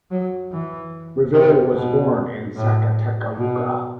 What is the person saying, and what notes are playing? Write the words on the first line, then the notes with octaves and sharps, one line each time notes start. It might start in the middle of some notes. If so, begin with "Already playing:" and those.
Rivera was born in Zacatecoluca.
F#3
E3
C3
B2
A2
B2